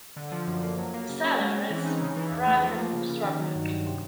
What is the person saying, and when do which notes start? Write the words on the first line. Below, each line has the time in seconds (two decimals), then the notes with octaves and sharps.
The cellar is private and obstructed.
0.17 D3
0.32 F3
0.47 F#2
0.63 A#3
0.78 F#3
0.94 A#3
1.09 C#3
1.24 C#4
1.40 G#3
1.55 C4
1.70 E3
1.85 D#4
2.01 C#3
2.16 E3
2.32 E2
2.47 A3
2.63 F3
2.78 A#3
2.93 C#3
3.09 C#3
3.24 D#3
3.39 F#3
3.55 G2
3.70 G2
3.86 C3